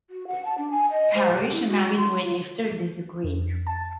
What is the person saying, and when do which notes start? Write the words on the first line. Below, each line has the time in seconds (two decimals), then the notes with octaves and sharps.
Parrish, an avid weight lifter, disagreed.
0.10 F#4
0.27 F#5
0.45 A5
0.58 D4
0.71 G#5
0.90 D#5
1.15 C5
1.34 G4
1.52 E4
1.68 F#4
1.97 C6
2.22 F4
3.24 F2
3.67 A5